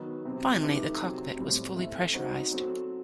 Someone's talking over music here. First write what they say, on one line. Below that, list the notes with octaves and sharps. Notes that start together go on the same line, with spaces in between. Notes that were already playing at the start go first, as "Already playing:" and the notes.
Finally, the cockpit was fully pressurized.
Already playing: D#3 F#3 B3
C3 F#3 C4
D#3 A3 D#4 G4 B4
C3 F#3 C4
A2 G3 C4
A3 C4 E4
F#3 C4 D#4 F#4 C5
F#3 C4 F#4 A4